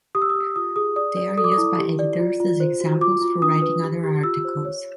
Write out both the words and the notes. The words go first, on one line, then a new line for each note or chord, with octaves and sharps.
They are used by editors as examples for writing other articles.
G4 D#6
E6
D#6
G4
F4 D#6
G#4 D#6
D5 D#6
D5
A4 D#6
D6
D#6
E4
G4
D5
F4
F4
C5
F#4
F4 D6
F4
D4 D#6
B4
G4
G4
F4 E6
C5
C#5